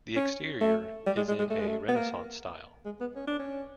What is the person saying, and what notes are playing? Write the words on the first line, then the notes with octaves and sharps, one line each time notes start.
The exterior is in a Renaissance style.
C#4
A3
G3
G#3
G#3
G#3
A3
G#3
A3
B3
A#3
G#3
B3
C#4
D4
C#4